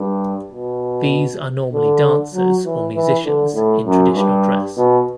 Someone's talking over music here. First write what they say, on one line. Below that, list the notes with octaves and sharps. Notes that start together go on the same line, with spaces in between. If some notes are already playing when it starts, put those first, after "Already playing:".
These are normally dancers or musicians in traditional dress.
Already playing: G2
B2
D3
F#3
E3
E3
D3
A2
F#2
G2
B2